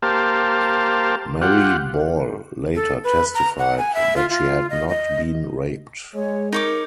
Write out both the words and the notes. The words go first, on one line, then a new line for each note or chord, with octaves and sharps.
Mary Ball later testified that she had not been raped.
A#3 G4 C5 F5 A5
F4 G4 F#5
A4
B4
A#5
F#5
G#5
E5
F4
F4
D#5
D#5
G#3 C#5
D#4 A#4 C#5 D6